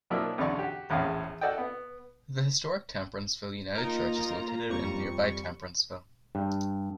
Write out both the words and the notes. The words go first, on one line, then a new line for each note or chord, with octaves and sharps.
The historic Temperanceville United Church is located in nearby Temperanceville.
B2 F3 F#3 A#3 D4 E4
B1 E2 D3 C#4 D5 C#6
F#4 G4
A#1 E2 A2 C#4 F5
F#4 A4 D5 D#5 G5
B3
A#3 D#4 F4 A#4 A#5
F2 G3 C#6
G2